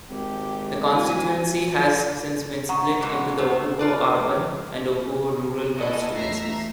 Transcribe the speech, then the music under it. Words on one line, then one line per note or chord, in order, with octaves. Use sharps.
The constituency has since been split into the Opuwo Urban and Opuwo Rural constituencies.
G#1 G4
E4 F#4 G#5
G#2 F#5 A#5 C#6
F2 B2 G#3
C3 A3 B3
F4 B4 D5
B3 E4 F#4 G#4 A4 D#5
E2 A3 E5 A#5 A#6 C7